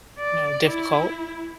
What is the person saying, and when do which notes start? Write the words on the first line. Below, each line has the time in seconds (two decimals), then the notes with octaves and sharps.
you know, difficult.
0.19 D5
0.67 E4